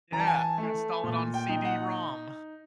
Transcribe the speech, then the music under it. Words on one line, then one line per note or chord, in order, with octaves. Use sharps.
Yeah, you install it on CD-ROM.
E3 A#5
A5
G#5
A5
A3
A#2
G5
D#4
F#5